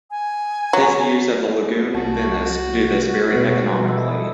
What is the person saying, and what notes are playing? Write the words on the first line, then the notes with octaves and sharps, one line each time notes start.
His views of the lagoon in Venice do this very economically.
G#5
F#3
C2 F#4 A5
B2 G3 B3
E4 A4 D#5